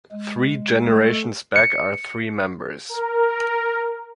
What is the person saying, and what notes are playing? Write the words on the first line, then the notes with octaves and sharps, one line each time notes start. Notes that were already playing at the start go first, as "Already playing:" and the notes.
Three generations back are three members.
G#3
A3
C#7
A#4